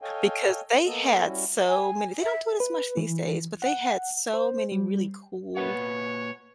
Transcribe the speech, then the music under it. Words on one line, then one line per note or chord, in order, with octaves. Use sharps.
because they had so many they don't do it as much these days, but they had so many really cool,
A4 C#5 D#5 F5 G5 G#5
A#3 B3 A4 D#5
G3 C#4 E4 F#4
G#5
E5
B4
E3
F#5
C5
G3
A#2 B4 C#5 F#5